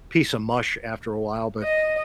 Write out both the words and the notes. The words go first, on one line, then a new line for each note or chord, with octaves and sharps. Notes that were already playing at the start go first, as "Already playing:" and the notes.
piece of mush after a while. But,
D#5